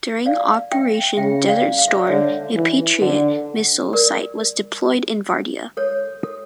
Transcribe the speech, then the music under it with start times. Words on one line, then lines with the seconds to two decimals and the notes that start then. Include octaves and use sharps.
During Operation Desert Storm, a Patriot missile site was deployed in Vardia.
0.26 D5 F5
0.72 E5 G5
1.17 C#3 E5 G5
1.48 D5 F5
1.78 F5
1.88 E5
1.98 D5
2.07 D3 C#5 E5
2.55 E3
3.01 D3
3.93 A#4 D5
5.77 A4 C#5
6.23 A4